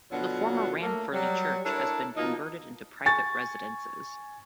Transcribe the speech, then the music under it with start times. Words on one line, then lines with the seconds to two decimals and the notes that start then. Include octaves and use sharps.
The former Ranfurly Church has been converted into private residences.
0.12 B2 D3 F#3 D4 F4 F#5
0.81 A3 A#3
1.13 F#3 G3
1.64 D4 E4 A4 A#4 C#5
2.16 B2 F3 A#3 D#4
3.06 G#5 C#6 A6